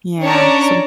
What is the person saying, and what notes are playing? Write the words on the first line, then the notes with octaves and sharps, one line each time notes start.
yeah, so
C#4 D4 C#5 D5 A5 A#5